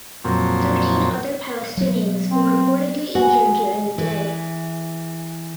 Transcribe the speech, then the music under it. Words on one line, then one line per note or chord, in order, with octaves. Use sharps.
Thirteen other Palestinians were reportedly injured during the day.
F2 A#2 F#3 C4
F#3 B3
C4
F#4 G#4 B5
E3